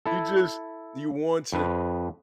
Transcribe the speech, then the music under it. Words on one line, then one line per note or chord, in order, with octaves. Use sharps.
you just, you want to
E4 A4
F2 B4